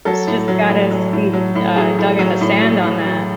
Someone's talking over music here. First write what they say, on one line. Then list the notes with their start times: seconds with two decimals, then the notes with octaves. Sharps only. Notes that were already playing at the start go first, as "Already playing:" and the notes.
He's just got his feet, uh, dug in the sand on that.
0.05 F#3 A4
0.27 A2
0.48 F#3
0.69 A2
0.91 F#3
1.13 A2
1.33 F#3
1.55 A2
1.76 F#3 G#4
1.98 A2
2.19 F#3
2.41 A2
2.62 F#3
2.83 A2
3.05 F#3